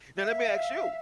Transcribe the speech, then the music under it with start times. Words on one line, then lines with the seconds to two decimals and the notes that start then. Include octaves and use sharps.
Now let me ask you.
0.21 E5 F5